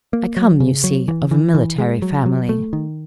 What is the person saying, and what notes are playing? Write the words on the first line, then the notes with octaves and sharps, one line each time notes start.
I come, you see, of a military family.'
A#3
F#3
C#3
F#3
E3
E3
E3
G#3
F#3
F#3
A3
D#3